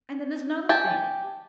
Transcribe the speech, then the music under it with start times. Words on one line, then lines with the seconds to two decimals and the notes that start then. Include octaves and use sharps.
And then there's another thing.
0.69 G4 G#5 A5